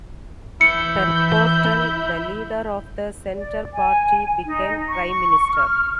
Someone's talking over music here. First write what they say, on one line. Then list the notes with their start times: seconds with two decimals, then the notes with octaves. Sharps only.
Per Borten, the leader of the Centre Party, became Prime Minister.
0.61 E3 E4 G6 C#7
3.34 D5
3.73 G#5
4.46 D#4
4.89 C#6
5.54 F6